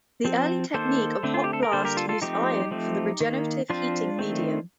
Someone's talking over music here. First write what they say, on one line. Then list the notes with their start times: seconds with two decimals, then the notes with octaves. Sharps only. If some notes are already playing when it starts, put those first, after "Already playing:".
The early technique of hot blast used iron for the regenerative heating medium.
0.25 F3 C4
0.74 D#3 A#3 A4 C5
1.23 D3 A3 C4
1.34 F4
1.44 G4
1.53 A4
1.63 A#4
1.72 D3 G3 A#3 A4 C5
1.85 G4 A#4
1.97 F4 A4
2.09 F4 A4
2.22 F3 A3 C4 D#4 G4
2.71 F3 A3 C4
3.21 D#3 A#3
3.70 F3 C4 D4 F4
4.19 D#3 A3 C4